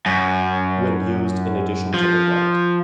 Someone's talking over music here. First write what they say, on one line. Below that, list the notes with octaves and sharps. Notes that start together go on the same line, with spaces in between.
When used in addition to the right.
F#2
F3